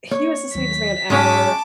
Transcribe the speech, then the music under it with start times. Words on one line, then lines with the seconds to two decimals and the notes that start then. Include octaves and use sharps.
he was the sweetest man ever.
0.11 A#3 C#5
0.55 D#2 F#3 B6
1.10 G#2 G#3 C#4 C#5 A5 D6